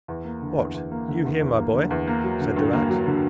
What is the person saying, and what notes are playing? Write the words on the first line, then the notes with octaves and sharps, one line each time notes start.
"What! you here, my boy?" said the rat.
E2
A#3
D3
E2
E2
A#3
D3
E2
E2
A#3
D3
E2
A#3
F#3
D3
G2
A#3
F#3
D3